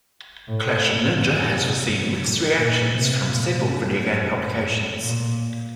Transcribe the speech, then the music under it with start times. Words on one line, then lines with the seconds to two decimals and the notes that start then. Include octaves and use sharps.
"Clash of Ninja" has received mixed reactions from several video game publications.
0.48 A2
1.18 F#2
1.53 C3
1.88 F#2
2.23 A2
2.58 A#2
2.93 C3
3.27 A#2
3.62 A2
3.98 F#2
4.33 F#2
4.68 A2
5.03 A#2